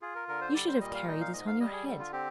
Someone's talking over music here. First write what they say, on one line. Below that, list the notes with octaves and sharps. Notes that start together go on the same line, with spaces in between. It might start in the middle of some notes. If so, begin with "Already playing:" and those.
You should have carried it on your head.'
F4 G#4
A#4
D3 A#4
C5
G3 D5
C5
A#2 D#5
F5
D#4 D#5
F5
G#2 D#5
F5
G3 D#5
G#4
D3
F4
C4 G4